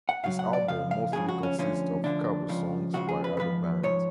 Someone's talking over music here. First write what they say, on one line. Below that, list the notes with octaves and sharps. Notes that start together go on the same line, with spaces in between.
This album mostly consist of cover songs by other bands.
F#5
F#2 C#3 F#3 F5
F#5
D5
C#2 C#3 F3 F5
F5
C#2 C#3 F3 G#4
F#4
C#4
D2 D3 F3 C#4
D2 D3 F3 D4
C#2 C#3 F3
C#2 C#3 F3 F#4
G#4
B4
G#2 F3 B4
G#2 F3 C#5